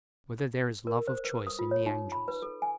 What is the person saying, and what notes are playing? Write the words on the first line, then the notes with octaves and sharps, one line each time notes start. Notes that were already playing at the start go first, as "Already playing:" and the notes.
Whether There Is Love of Choice in the Angels?
A#4
C5
B4
D#6
F4
C#5
D#4
B5
B4
A4
G#5